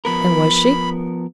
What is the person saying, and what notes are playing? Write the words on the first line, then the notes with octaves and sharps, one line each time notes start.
"And was she?"
F3 B3 A#4 B5